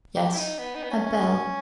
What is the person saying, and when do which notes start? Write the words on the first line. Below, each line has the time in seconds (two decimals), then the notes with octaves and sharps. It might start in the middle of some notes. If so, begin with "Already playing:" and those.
Yes ... a bell ...
0.16 G4
0.33 E4
0.38 D#4
0.58 B3
0.75 D#4
0.83 B3
0.91 C#4
1.06 C#4